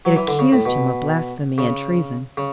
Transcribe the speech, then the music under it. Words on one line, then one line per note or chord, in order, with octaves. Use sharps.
It accused Him of blasphemy and treason.
F#3
E3
D3
C#3
A2
B2
C#3
C#3